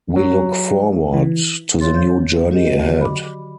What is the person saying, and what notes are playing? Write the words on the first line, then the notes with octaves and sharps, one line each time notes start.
We look forward to the new journey ahead.
F#3
E3
D#3 F3 F4 C#5 C6 A6
G6
F#4 G4 D#5
D3 F#3
B5 D6